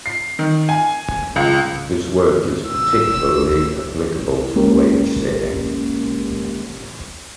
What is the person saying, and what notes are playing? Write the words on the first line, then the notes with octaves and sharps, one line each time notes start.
This work is particularly applicable to wage setting.
C7
D#3
G#5
C#2
E6
G#3 A#3 C#4 G4 A#4